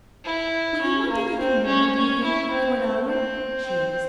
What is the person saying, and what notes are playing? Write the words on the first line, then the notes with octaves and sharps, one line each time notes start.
'Will you want anything more, do you think, for an hour?' she asked.
E4
C#4
A#3
C4
C#4
C#4
E4
C4
C4
C4